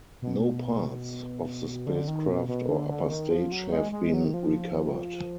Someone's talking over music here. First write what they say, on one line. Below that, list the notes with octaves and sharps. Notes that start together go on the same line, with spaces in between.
No parts of the spacecraft or upper stage have been recovered.
B2
D3
D#3
B2
B2
D3
D3
D#3
F3
F#3
G#3
G#3
F#3
D#3
F3